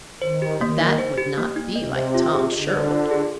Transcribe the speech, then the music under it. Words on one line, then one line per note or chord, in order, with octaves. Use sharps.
But that would not be like Tom Sherwood!
D#3 C5
G4
D#3 A#3
D#4
C5
G4
A#3
D#4
C3 D#5
C5
F4
G#4
D3 D#5
C5
F4
G#4